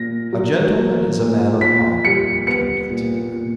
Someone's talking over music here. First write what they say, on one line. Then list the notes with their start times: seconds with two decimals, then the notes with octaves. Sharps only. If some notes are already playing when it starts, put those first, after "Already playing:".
"A gentleman is a man of honour," returned the tailor.
Already playing: A#2 A#6
0.33 F#3
0.77 A#3
1.19 A#2
1.61 A#2 B6
2.05 G3 C#7
2.47 B3 C#7
2.90 A#2
3.34 A#2